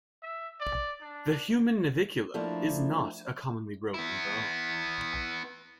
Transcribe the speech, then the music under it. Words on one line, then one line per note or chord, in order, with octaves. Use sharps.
The human navicular is not a commonly broken bone.
E5
D5
D4
F3 A3 A#3 D4 E4
B3 E4